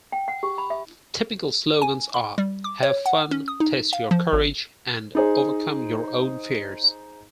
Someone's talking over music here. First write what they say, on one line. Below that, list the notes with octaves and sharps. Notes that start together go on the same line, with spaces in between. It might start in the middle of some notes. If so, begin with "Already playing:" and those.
Typical slogans are: Have fun, Test your Courage and Overcome your Own Fears.
G5
F#5
G4
B5
E5
G#5
B5
G3
D6
C#5
F#5
C#4
D#6
D#4
F5
F3
G#1
D#4 G#4 C5